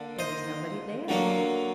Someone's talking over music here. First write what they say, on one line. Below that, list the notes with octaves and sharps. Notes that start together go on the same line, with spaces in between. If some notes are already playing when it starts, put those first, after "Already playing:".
There was nobody there.
Already playing: D3 A#3 D4
C5 D#5
D3 F#3 A#3